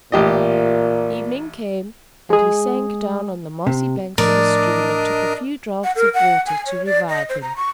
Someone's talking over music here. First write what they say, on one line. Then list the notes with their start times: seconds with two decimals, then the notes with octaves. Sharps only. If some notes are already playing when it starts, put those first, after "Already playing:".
Evening came, and he sank down on the mossy banks of a stream and took a few draughts of water to revive him.
0.12 A1 A#2 G4 D#5
2.30 G#3 G#4
3.67 C3
4.18 A2 F3 A3 D4 A#4 D5 D#5
5.84 F#5
5.96 A#4
6.14 F#5
6.47 G#5
6.66 C#5
6.86 D5
7.09 D#5
7.29 C5
7.42 A#5
7.56 C#6